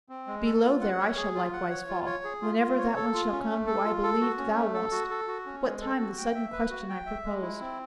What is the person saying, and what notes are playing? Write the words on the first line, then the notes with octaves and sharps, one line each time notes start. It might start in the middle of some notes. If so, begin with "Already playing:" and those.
Below there I shall likewise fall, whenever That one shall come who I believed thou wast, What time the sudden question I proposed.
C4
G#3
A4
F4
F#5
C#5
G#4
F4
F#5
C#5
F4
C#5
G#4
F4
F4
C#5
A4
F4
C#4
A3
A4
F4
A4
F#4
C#4
A3
A4
F#4
A4
F#4
C#4
G#3
A4
F#4
G5
E5
B4
F#4
G5
E5
G#3
E4
C4